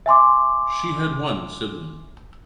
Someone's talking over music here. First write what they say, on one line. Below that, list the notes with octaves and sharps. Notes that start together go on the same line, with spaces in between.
She had one sibling.
E5 G#5 C6 D6